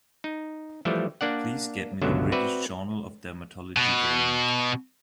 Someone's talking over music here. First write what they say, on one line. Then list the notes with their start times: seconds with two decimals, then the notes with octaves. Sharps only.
Please get me the British Journal of Dermatology game.
0.24 D#4
0.85 E3 F3 G3 A3
1.21 A#3 D4 D5 F#5
2.01 G1 C#2 B2 D3 F#3 E5
2.32 C4 F#4 B4 D5 E5
3.77 B2